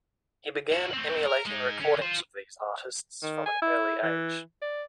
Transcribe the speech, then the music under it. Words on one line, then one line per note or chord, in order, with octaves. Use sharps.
He began emulating recordings of these artists from an early age.
E4 F#4
A3 C4
A#4
G#3 D#4
D3 C#4
F4 C5
D#3
G#5
E4
E3
D5